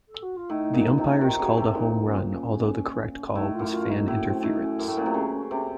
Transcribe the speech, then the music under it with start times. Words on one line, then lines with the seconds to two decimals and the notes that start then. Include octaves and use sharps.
The umpires called a home run, although the correct call was fan interference.
0.08 A4
0.22 F#4
0.36 F4
0.49 A2 D#4
0.73 A#2
0.98 C3
1.21 D#3 F4
1.39 C#3 F#4
1.57 C3 A4
1.75 A#2 D#4
1.93 D#4
2.05 C#4
2.17 C4
2.28 C#4
3.35 A2 D#4
3.54 F4
3.59 F#2
3.71 F4
3.90 D#4
4.07 A2 A#3
4.18 A#3
4.25 C4
4.43 A2 D#4
4.60 C#4
4.79 F#2
4.88 A2
4.97 A#2
5.06 C3
5.14 C#3
5.51 C3